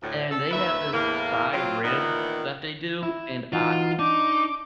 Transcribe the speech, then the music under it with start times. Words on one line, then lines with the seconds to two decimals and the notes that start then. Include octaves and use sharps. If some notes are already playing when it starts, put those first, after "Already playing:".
And they have this Thai rib that they do, and, uh
0.02 D2 A2
0.31 A4
0.51 D#2 B4 E5
0.92 E2 A2 A#3
1.53 F#3 C4 F4
1.84 A#2 D#3 E3 B3
3.03 E4
3.53 E3 D#4 F4 F#4
3.99 D4 D#4 D6